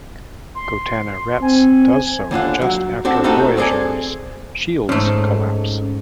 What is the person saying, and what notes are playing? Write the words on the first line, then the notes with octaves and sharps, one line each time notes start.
Gotana-Retz does so just after "Voyager's" shields collapse.
C6
C4 G#5
D#2 D3 F4 F#5
F#3
C4 D4 F#4 A4
A3 C4 D#4 F#4 G4 A4
C4 G#4 A4 D5 G#5
G#2 A3 C#4 D#4 A4